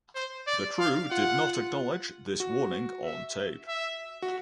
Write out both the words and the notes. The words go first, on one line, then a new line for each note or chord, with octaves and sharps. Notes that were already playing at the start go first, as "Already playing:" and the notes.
The crew did not acknowledge this warning on tape.
C5
D5
F5
F4 F#5
F#4
E5
E5
F#4